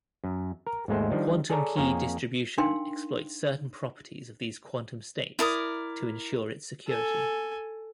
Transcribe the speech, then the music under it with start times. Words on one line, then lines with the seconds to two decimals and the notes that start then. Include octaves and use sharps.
Quantum key distribution exploits certain properties of these quantum states to ensure its security.
0.24 F#2
0.67 A#4
0.88 G#1 D#2 G#3 A3 C5
1.11 D#3 F3 G3 D4
1.50 G#4 A4 C#5 D5 A5 A#5
1.76 F2 A#3 G#4 A#4 C#5
2.58 D4 D#4 A#4 F5 G5 C6
5.39 E4 A#4 D5 D#6
6.86 A4 G#5